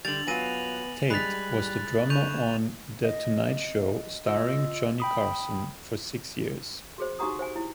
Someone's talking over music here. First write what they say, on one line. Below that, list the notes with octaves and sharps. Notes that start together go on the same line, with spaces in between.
Tate was the drummer on "The Tonight Show Starring Johnny Carson" for six years.
D3 G3 A6 F7 F#7
F#3 B3 F4 G#5 A#6 D#7
G3 G#3 B5 F#6 A6 B6
D3 C#6 G6 D#7 F7
D#5
F4 D#5 E6
G5 B5 D#6
F#4 G#4 C5
D#4 F#4 G4 F#5 A#5 D#6
C5 F#5 G#5
E4